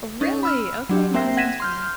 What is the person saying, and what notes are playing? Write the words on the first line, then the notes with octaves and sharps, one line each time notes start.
Really? Okay, my husband's from there.
C#4 D#4
B5 E6 F6
F#3 D4 G4
A#3 C4 E5 G5 A#6 C7
F#5 G#6 A#6 B6 D#7 E7
C6 F6 G6